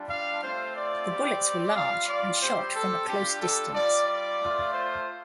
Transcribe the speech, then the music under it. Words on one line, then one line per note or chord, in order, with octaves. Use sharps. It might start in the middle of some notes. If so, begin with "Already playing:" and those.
The bullets were large and shot from a close distance.
Already playing: G3 D4 F4
F5
A3 C4 F4 C5
D5
G3 C4 G4
G3 F4 F5
D5
G3 C4 G4 C5
A4
G3 D4 F4 G4
A4
G3 F4 D5
D5
A3 F4
C5